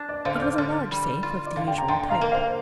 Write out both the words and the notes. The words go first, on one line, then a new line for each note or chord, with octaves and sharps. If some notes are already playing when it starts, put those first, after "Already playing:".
It was a large safe of the usual type.
Already playing: D4
D5
D3 C5 F5
F6
D6 G6
D3 C6 F6
G3
F4
D5
D3 F5
G5
A#5
D3 G5 C6
F5 A#5
A#3
C5 F5